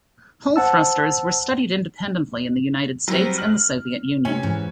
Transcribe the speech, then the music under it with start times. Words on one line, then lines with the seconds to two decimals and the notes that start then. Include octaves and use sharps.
Hall thrusters were studied independently in the United States and the Soviet Union.
0.56 C5 F#5 A5 E6
3.08 F#3 G3 C4
3.38 F6 F#7
4.25 C3 C#4
4.43 G#2 E3